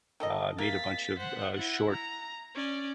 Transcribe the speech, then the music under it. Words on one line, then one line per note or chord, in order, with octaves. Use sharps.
uh, made a bunch of, uh, short,
D#3 A4 D#5
C3 A#3 F5 A6 B6
C5 F#5
E4 F#5
A#5
C#4 D5